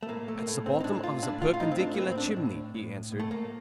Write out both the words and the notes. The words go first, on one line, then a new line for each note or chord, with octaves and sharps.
"At the bottom of the perpendicular chimney," he answered.
A3
A2 A#3
A3
A#3
A2 A3
C4
D#4
A2 D4
F4
A2 D4
F4
F4
A2 D#4
C4
D4
A#3
A2 C4
C4
D4
A2
A2
A2
A3
A#3